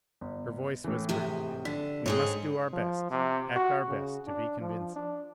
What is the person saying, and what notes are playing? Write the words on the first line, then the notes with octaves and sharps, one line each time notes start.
Her voice whispered, "We must do our best, act our best to be convincing."
G1
A2 E3
G#2 C3 G#3
D3 B6
G#2 G#3 C4 G#4 C#5
F3
C3
F#4
C#3
D4
F3
D4